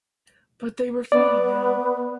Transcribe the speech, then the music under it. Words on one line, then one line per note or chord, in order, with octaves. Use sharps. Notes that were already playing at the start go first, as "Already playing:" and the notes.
But they were fading now.
B3 D5